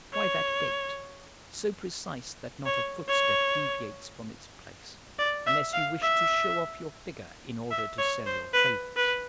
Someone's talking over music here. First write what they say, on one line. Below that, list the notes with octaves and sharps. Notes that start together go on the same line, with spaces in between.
Why that gait, so precise that not a footstep deviates from its place, unless you wish to show off your figure in order to sell your favors?
C#5
C#5
C#5
D5
E5
F5
E5
E5
C#5
C5
B4
B4